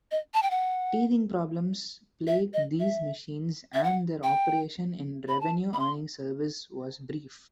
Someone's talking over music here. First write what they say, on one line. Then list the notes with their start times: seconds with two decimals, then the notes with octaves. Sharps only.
Teething problems plagued these machines and their operation in revenue earning service was brief.
0.11 D#5
0.34 A5
0.43 G5
0.51 F#5
2.27 E5
2.54 D#5
2.80 E5
3.74 E5
3.84 F#5
4.23 G5
5.29 B5
5.41 A5
5.74 B5
5.80 C6